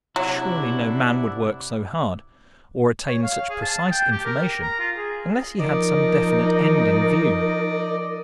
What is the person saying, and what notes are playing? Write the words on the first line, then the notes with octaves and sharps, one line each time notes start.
Surely no man would work so hard or attain such precise information unless he had some definite end in view.
C3 F#3 D4 E4 D5 F#5
C#5
F5
G#4
A5
G5
G4
A#4
A#5
F4
G#4
F3 D#4 A#4 D5 D#5